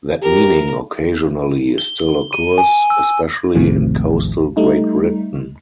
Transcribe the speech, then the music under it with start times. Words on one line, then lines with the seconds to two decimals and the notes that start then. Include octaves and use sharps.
That meaning occasionally still occurs, especially in coastal Great Britain.
0.22 G4 A#4
1.78 G7
2.33 D#7
2.58 G#5
2.90 E6
3.55 A1 D#2 A2 C3 D#3 F3
4.57 G3 A3 D#4